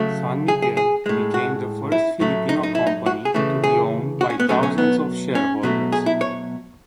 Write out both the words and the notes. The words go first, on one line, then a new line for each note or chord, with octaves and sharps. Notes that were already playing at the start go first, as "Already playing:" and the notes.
San Miguel became the first Filipino company to be owned by thousands of shareholders.
Already playing: C#3 F#3 A3
G#4
G#4
G#4
A2 G#3
F#4
E4
A2 F#3 A3
D#4
D#4
E4
D#4
F#4
G#4
C#3 E3 A3
G#4
F#4
C#4
B3
B2 F#3 A3 C#4
C#4
B3
C#4
B2 F#3 A3
G#4
E4
C#5